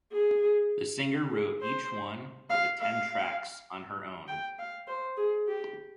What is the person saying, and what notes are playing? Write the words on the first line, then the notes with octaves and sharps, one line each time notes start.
The singer wrote each one of the ten tracks on her own.
G#4
G#4
C5
F5
F5
G5
F5
C5
G#4
G4